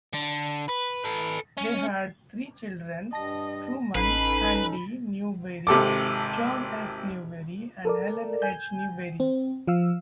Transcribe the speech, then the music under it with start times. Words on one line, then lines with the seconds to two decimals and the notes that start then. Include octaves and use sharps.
They had three children, Truman Handy Newberry, John S. Newberry and Helen H. Newberry.
0.14 D3
0.69 B4
1.05 A4 B4
1.58 C#4
3.13 G2 G3 D#5 A5 A#6
3.95 A1 C#4 D#4 A4 B4 B5 C7
5.67 G#1 C3 A4 D6
7.85 A4 A#4 D5
8.42 G#5 G6
9.20 C4
9.68 F3 F5 E6